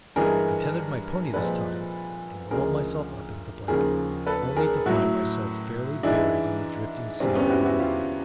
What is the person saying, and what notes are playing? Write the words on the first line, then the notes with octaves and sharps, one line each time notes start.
I tethered my pony this time, and rolled myself up in the blanket, only to find myself fairly buried in the drifting sand in the morning.
G2 E3 G#3 G#4 A#4
C2 A#2 F3 G#3 A4 B4
D2 C#3 F3 G#3 G#4 A#4
D#2 C#3 F3 G#4 A#4
A4 B4
G#4 A#4
A2 F#3 E4 F#4
G#2 E3 G#3 D4 E4
E2 C3 E3 G3 C4 D4
B3 C#4
G4
E4 F#4
E4 F#4
F4 G4